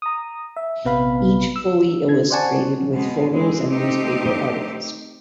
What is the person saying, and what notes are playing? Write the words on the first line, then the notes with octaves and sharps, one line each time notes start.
Each fully illustrated with photos and newspaper articles.
A#5 D#6
E5
A#1 C3 B3 B4 F5 B5
E6
D3 G#6
C5 D5 F#5 G#5 A5 C#6
B2 G#3
E3 G#3 C4
A3 C4 D#4 G4